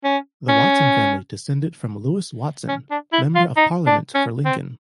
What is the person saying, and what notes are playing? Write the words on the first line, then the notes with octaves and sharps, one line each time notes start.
The Watson family descended from Lewis Watson, Member of Parliament for Lincoln.
C#4
C#4
C#4
D4
E4
F4
D#4
D4
C#4
C4